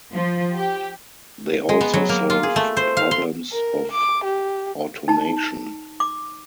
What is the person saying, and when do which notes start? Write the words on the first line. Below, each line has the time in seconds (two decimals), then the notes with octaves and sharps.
They also solve problems of automation.
0.11 F3
0.55 G4
1.69 G#3
1.81 B3
1.93 F#3
2.09 A#3
2.30 F4
2.43 G#4
2.56 A3
2.77 C5
2.97 F5
3.11 C6
3.52 A#4
3.92 D6
4.25 G4
5.08 D#4 A5
6.00 D6